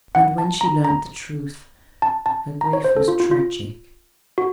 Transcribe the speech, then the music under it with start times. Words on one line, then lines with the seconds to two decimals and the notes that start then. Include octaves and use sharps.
And when she learnt the truth, her grief was tragic.
0.15 F#5
0.38 A5
0.61 A#5
0.85 A#5
2.02 A5
2.26 A5
2.61 A#5
2.73 C#5
2.84 C5
2.96 A4
3.08 F4
3.20 F4
3.31 F4
4.38 F#4